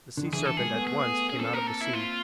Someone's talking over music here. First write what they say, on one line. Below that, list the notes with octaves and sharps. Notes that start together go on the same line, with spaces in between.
The sea serpent at once came out of the sea.
D3
D#3
D3 E3 G#4
D3 E3 A4
G#3 A#3 G#4
A3 B3
G#4
C#4 G#4
A#3 C4 A4
A#4
A4
E4
F4